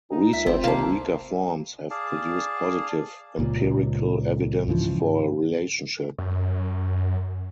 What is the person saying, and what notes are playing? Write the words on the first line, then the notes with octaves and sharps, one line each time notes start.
Research on weaker forms have produced positive empirical evidence for a relationship.
D#4
C#2 E5
G1 C4
C3 A#3 F5 A5
G#4 D5 F5 A5
C#2 A#2
G#2 C#3 E3 F3
F#2